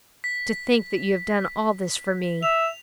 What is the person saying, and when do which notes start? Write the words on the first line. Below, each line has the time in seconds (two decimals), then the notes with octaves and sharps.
"To think that you have done all this for me."
0.24 B6
2.43 E5 F7